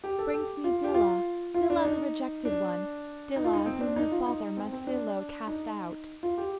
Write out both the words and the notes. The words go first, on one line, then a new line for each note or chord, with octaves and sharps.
Bring to me Dilah, Dilah the rejected one, Dilah, whom her father Masilo cast out!
G4
A4
G4
F4
G4
F4
F4
D4
D#4
D4
D#4
F4
D#4
C4
D4
D#4
F4
D#4
C4
C4
D4
D#4
F4
G4